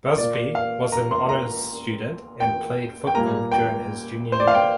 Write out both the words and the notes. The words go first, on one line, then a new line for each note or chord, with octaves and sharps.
Busby was an honors student and played football during his junior year.
A#2 A#3 D5
F5
A#5
C6
A#5
G5
G5
A#2 G3 A#3 A#5
G5
C5
D5
F5
G5